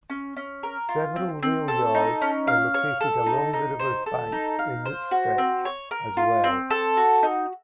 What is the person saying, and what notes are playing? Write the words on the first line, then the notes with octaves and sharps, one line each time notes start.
Several rail yards are located along the river's banks in this stretch, as well.
C#4
C#4
A#4
F4
C4
C4
A4
D#4
C#4
F5
C#5
A4
D#4
D#4
C5
A4
D#4
F5
C5
F#4
C4
C#5
A#4
F4
C4
A4
F#4
D#4